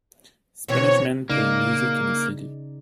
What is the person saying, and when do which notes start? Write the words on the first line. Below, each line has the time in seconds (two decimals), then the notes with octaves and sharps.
Spanish men playing music in a city.
0.68 B2 E3 C4 C#5
1.30 C#3 A#3 D#4 D5